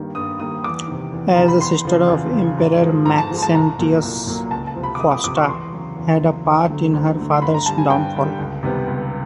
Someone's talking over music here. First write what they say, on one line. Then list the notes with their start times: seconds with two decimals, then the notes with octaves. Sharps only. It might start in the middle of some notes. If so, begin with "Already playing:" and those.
As the sister of Emperor Maxentius, Fausta had a part in her father's downfall.
Already playing: G2 D#3 G3 A#3
0.15 G2 D#6
0.39 D#3 G3 A#3 D#6
0.64 E2 D6
0.88 C3 D#3
1.12 E2
1.36 C3 D#3 A#5
1.48 B5
1.60 E2 C6
1.85 C#3 F3
2.09 E2
2.34 C#3 F3
2.57 G#2
2.82 F3 G#3
3.05 G#2 A#5
3.18 A5
3.30 F3 G#3
3.43 A5
3.54 C2 A#5
3.79 A#2 F#3 A#3
4.03 C2
4.27 A#2 F#3 A#3
4.51 C#2 A5
4.67 A5
4.75 C3 F3
4.83 B5
4.95 D6
5.00 C#2 D#6
5.12 D6
5.24 C3 F3 D6
5.36 C#6
5.48 E2 C6
5.72 C#3 F#3
5.97 E2
6.21 C#3 F#3
6.45 D2
6.69 D3 F#3 A3
6.93 D2
7.17 D3 F#3 A3
7.34 C6
7.42 G2 B5
7.54 A#5
7.66 D3 G3 A5
7.78 G#5
7.90 G2 G5
8.15 D3 G3
8.39 C#2
8.63 C3 D#3 G3 B3
8.87 C#2